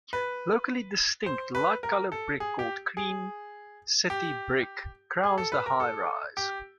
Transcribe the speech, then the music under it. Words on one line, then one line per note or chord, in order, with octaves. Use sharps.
Locally distinct light colored brick called Cream City brick crowns the high-rise.
B4
C5
B4
A#4
A4
G#4
G4
G#4
G4
G#4
A4
B4
A#4
A4
G4